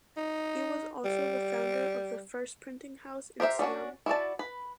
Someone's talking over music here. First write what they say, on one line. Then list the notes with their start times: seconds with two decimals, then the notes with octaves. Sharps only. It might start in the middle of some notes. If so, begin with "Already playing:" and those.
He was also the founder of the first printing house in Siam.
0.17 D#4
1.05 G3
3.40 G4 A#4 C5 E5
3.59 G3 C#4 D4 F#4
4.06 E4 F#4 D5 A5
4.39 B4